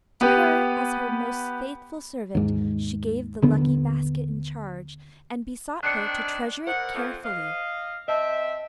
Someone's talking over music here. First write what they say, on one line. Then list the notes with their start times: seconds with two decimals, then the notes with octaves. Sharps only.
To her, as her most faithful servant, she gave the lucky basket in charge, and besought her to treasure it carefully.
0.21 B3 G4 B4
2.35 D#2 G#2
3.42 D#1 D3 B3
5.83 D#3 C4 D4 F#6 C7 C#7
6.67 B2 A#4 C5 F#5
6.95 F2
7.25 D#5 F5
8.08 C4 D#5 E5 A5